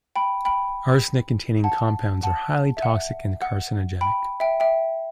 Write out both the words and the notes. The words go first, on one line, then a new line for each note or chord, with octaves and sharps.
Arsenic-containing compounds are highly toxic and carcinogenic.
G5 B5
G5 B5
F#5 A5
F#5 A5
E5
F#5
F#5
G5 B5
E5 G5
E5 G5